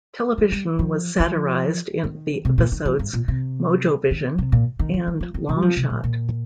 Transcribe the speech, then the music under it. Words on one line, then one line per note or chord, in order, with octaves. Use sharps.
Television was satirized in the episodes "Mojovision" and "Longshot".
F3
G3
F3
F3
D#3
C3
A#2
D#3
F3
G2
A#2
C3
D#3
C3
A#2
D#3
F3
F3
F3
D#3
C3
G3
F3
C3
A#2
A#2